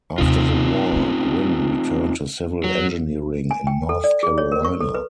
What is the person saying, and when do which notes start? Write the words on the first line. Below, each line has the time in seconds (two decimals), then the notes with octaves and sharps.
After the war, Gwynn returned to civil engineering in North Carolina.
0.18 D#2 C3 C4 D#4 F4
0.93 A3 C#4
2.64 F#3
3.51 G#5
3.67 G5
3.89 A4
4.04 D5
4.23 G#4
4.38 C#5
4.52 A#4
4.65 C#6
4.81 A4
4.94 B4